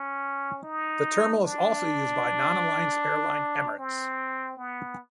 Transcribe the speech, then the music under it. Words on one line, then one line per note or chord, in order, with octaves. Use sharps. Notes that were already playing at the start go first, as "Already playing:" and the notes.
The terminal is also used by non-alliance airline Emirates.
Already playing: C#4
D#4
D4
C4
B3